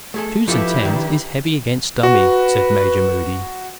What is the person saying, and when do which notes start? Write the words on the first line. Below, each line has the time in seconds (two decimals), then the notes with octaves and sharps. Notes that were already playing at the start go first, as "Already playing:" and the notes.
"Twos and tens is heavy against dummy," said Major Moody.
0.14 A3 G#4 A4
0.48 F3 E4 F4 G4 A4 B4
0.85 D#3 D4
2.03 F#4 B4